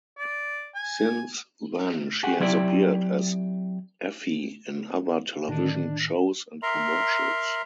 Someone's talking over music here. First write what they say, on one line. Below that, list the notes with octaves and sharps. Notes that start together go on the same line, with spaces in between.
Since then she has appeared as Effie in other television shows and commercials.
D5
G#5
G4 G#4 F#5
F#3 C4 E4 G4 D5
A2 D3 D#3 D4
A#4 E5 A#5 C6